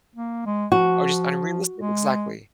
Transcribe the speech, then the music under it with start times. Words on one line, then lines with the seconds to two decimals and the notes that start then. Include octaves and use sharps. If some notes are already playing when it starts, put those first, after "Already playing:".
Oh, just unrealistic exactly.
0.15 A#3
0.46 G#3
0.72 F3 F#4
1.78 G#3